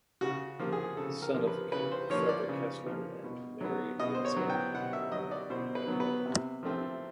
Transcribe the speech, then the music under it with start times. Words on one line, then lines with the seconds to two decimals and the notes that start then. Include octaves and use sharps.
Son of Frederick Kesler and Mary Lindsay.
0.21 C#3 F#4
0.59 F3 A#3
0.72 G#4
0.97 C#3 A4
1.22 A#4
1.34 F3 A#3
1.47 B4
1.72 C#3 B4
1.91 C5
2.10 F3 A#3 C#5
2.29 D5
2.48 C#3
2.86 F3 A#3
3.24 B2
3.61 F#3 B3
3.99 B2 D#5
4.15 C5
4.25 C#5
4.36 F#3 B3
4.50 G5
4.75 B2 F#5
4.93 E5
5.12 F#3 B3 D#5
5.31 D5
5.50 B2 C5
5.75 B4
5.88 F#3 B3
6.00 B4
6.26 C3
6.63 F3 A3 C4